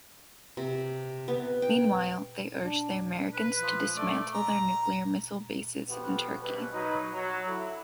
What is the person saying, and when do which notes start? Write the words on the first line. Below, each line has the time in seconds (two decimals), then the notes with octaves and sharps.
Meanwhile, they urged the Americans to dismantle their nuclear missile bases in Turkey.
0.57 C3
1.28 B3
1.62 G5
2.64 D4
3.34 B4
3.61 F3
3.97 A3 D5
4.34 A#5
5.89 F2 F3 B3 F#4 G4 B4
6.42 A#1 B2 G3 B4
6.73 F#3 D#4 B4
7.13 F#3
7.48 D3 E4